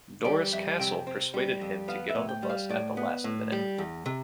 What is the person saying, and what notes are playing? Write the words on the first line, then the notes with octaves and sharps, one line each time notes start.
Doris Castle persuaded him to get on the bus at the last minute.
G3 D5
F2 E5
C3 G5
C4
G3
F2
B3 F5
E5
A2
G5
G3
F5
A2 D5
B3
A2
G3
E2
C3